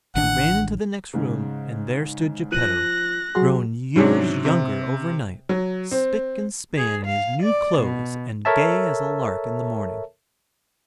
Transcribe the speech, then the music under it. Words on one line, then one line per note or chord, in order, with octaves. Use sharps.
He ran into the next room, and there stood Geppetto, grown years younger overnight, spick and span in his new clothes and gay as a lark in the morning.
A1 D#3 D4 F#5
G#2 C#3
F3 F#6 A#6 D#7 F#7
F#3 F#4 G#4 C6
G#2 C3 F#3 C#4 D4
C3
F#3
C4
G#4
F5
D5
B2
A4 A#4 C#5 E5 A5